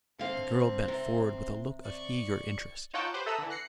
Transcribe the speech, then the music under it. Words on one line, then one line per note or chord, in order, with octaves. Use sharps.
The girl bent forward with a look of eager interest.
D3 C4 F5
C3
D5 C#6
D#4 F4 C#5 F#5 G5 A5
G4 B4 C5
A4 E5 A#5 D#6 E6 F#6
D3 E3
F#6 A#6 C7 C#7